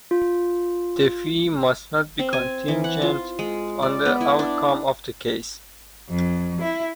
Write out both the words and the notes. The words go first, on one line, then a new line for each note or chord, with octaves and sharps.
The fee must not be contingent on the outcome of the case.
F4
C4
G#5
E3
F#5
F4
G#3
D5
B3
E4
D4
F2
E4